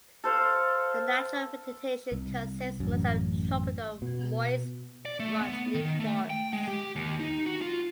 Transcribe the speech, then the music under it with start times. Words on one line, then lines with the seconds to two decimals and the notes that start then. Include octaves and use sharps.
The natural vegetation consists mostly of tropical moist broadleaf forests.
0.24 A4 C5 F5
2.12 C2
2.80 A1 F#2
4.02 B2
5.05 D5
5.20 A3
5.41 B3
5.75 D#3
6.00 A3
6.30 G5
6.53 G#3
6.68 G4
6.96 D#2
7.20 D#4
7.46 F#4
7.61 F4